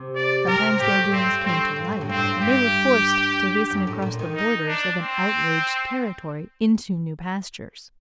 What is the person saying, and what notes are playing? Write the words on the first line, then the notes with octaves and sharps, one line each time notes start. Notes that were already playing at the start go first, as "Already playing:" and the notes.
Sometimes their doings came to light, and they were forced to hasten across the borders of an outraged territory into new pastures.
Already playing: C3
D5
C3 A#4
A2 G4
G2 C4
A2 C4
G2
A2
G2
A2
G2 C4
A2
G2
G2 G4
F#2
A2
A#2
D#3
D#4
D4
C4